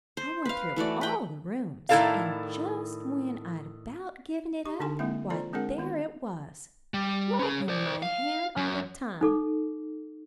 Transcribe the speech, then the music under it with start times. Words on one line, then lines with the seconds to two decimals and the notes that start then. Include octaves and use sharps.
I went through all the rooms, and just when I'd about given it up, why, there it was, right in my hand all the time!
0.17 C5
0.45 B4 F5
0.76 E3 A3 F#4 D5
1.01 B4 G5 B5
1.89 A2 D#3 E4 A4 D5 F5
4.65 G4 C#6
4.80 D3 D4 D#4 A4 G#5 C6
4.99 G#3 A#3 C4 E4 E5
5.30 F4 A4 C5 D5 A#5
5.53 G#3 C4 D4 G#4 A#4 F#5
5.78 D#3 B3 E4
6.94 G3
7.39 C#4 G#4
7.69 C5 D5
8.03 F5
8.57 F#2
9.21 D#4 A4 D6